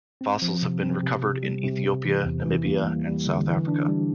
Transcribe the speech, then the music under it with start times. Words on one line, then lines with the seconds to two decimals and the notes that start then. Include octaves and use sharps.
Fossils have been recovered in Ethiopia, Namibia and South Africa.
0.21 C4
0.42 F3
0.62 C3
0.83 C4
1.03 C3
1.23 C3
1.43 G3
1.63 C3
1.84 C3
2.05 E3
2.25 E2
2.45 E3
2.66 A#3
2.86 G3
3.07 G3
3.27 D3
3.48 E3
3.68 D4
3.88 G3